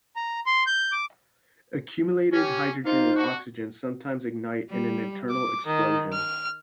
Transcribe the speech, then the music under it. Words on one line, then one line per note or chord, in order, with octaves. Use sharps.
Accumulated hydrogen and oxygen sometimes ignite in an internal explosion.
A#5
C6
G6
D6
C#4 G4
A#3 D#4 F4 C5 F5
D4 F#4
G3
D6
D#3
F6